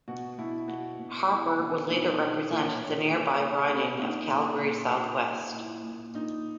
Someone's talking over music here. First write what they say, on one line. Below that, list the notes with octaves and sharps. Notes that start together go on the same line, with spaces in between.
Harper would later represent the nearby riding of Calgary Southwest.
B2 F#4
B2 E4
B2 F#4
B2
B2 E4
B2
B2 D#4
B2 D#4
A#2 A#4
C#5
A#2 C#5
B4
A#4
A#2 G#4
A#2
A#2 C#4
A#2 D#4
A#2
A#2
A#2
A#2
A#2 E4
A#2
A#2 D#4